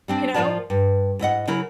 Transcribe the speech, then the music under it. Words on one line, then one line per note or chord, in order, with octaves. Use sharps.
you know,
G3 C4 D4
A2 F3 F4 A#4 D5 A5
G2
G#2 E4 D#5 F#5
C#3 F#3 E4 A#4